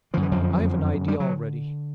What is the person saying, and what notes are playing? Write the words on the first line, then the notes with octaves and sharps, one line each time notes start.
I've an idea, already.
F#2 D3 F3
E3
F2 F3
G3
F#3